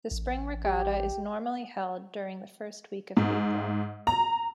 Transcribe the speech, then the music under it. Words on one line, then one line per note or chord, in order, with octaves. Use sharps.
The Spring Regatta is normally held during the first week of April.
A1
G4
G#2
A#5